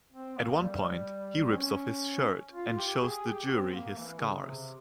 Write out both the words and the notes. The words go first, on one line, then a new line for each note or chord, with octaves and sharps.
At one point, he rips off his shirt and shows the jury his scars.
C4
A#3
G3
C4
C#4
F4
G4
G#4
G4
C4
A#3
E3
C#3
C3